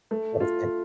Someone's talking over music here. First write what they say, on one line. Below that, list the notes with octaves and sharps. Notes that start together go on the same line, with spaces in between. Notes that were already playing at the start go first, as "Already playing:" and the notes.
Oh, thanks.
A3
F4